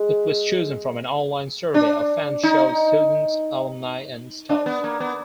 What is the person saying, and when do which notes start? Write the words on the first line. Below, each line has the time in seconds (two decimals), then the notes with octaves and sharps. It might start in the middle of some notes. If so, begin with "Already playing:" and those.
It was chosen from an online survey of Fanshawe students, alumni and staff.
Already playing: G#3
1.74 D4
2.43 D#4
4.49 D4
4.66 B3
4.84 A#3
5.00 B3